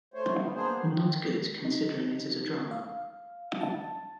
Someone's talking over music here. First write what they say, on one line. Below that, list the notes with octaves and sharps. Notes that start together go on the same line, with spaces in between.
Not good considering it is a drama.
A3 C5 C#5
B3
A#3 B3 D4 G#4 C5
D#3
D#4
F5
A5